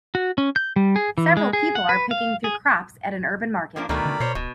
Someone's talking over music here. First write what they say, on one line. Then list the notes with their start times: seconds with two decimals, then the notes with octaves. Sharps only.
Several people are picking through crops at an urban market.
0.15 F#4
0.38 C#4
0.56 G6
0.76 G3
0.96 G#4
1.18 E3
1.37 G#3
1.53 G#4
1.75 F#5
1.89 B4
2.11 F5
2.44 G#4
3.76 F3 A#3 D4
3.89 D2 B2 D#3 A3 A#4 D5 B5
4.06 D3
4.20 B2 C5 C#5
4.35 D1 B2